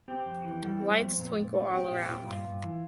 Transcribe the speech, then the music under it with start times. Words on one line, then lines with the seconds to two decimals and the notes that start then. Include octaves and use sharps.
Lights twinkle all around.
0.08 C4 G4
0.26 F2
0.44 E3
0.63 G3 A4
0.81 C4
1.00 F2
1.17 A#2
1.36 A#2
1.54 A3
1.72 C4 G4
1.91 A#2
2.08 A#2
2.26 G2 F4
2.45 G2
2.63 E3